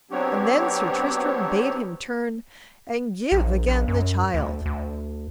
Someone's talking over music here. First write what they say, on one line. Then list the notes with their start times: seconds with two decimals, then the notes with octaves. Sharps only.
And then Sir Tristram bade him turn and give again the child.
0.11 F#3 B3 C4 D4 G4 C#5
3.32 A#1
3.68 A#1
3.88 F#2
4.34 D2
4.66 D2